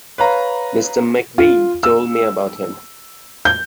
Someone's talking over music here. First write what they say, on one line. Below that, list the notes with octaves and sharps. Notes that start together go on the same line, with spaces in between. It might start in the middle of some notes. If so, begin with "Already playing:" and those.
Mr McVeigh told me about him.
B4 C#5 F5 A#5
F4
E6
G6